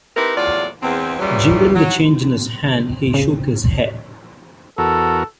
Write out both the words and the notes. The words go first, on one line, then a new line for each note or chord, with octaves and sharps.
Jingling the change in his hand he shook his head.
C4 D#4 E4 G4 A#4 B4
E2 A2 F#3 F4 D5
E2 C4
A#2 C#3 E3 F#3 G3
F#3
C#3
E2 F#4 A4 A#4